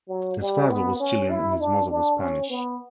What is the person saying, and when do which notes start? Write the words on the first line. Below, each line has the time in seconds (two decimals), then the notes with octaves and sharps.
His father was Chilean and his mother was Spanish.
0.09 F#3
0.40 G3
0.70 B3
1.00 C#4
1.30 E4
1.60 D4
1.90 D4
2.20 C#4
2.50 B3